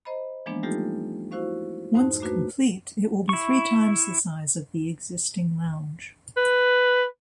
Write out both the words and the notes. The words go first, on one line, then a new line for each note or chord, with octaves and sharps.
Once complete, it will be three times the size of the existing lounge.
C5 D#5 A#5 B5
E3 F3 G#3 A#3 B3 D4
G3 A3 D#4 F4 G4 A4
E4 F#4 C5 F5 C#6
F2 G#2 D#4 C5 A5 F#6
A3 A#3 D4 F#4 B4
E4 C#6
B4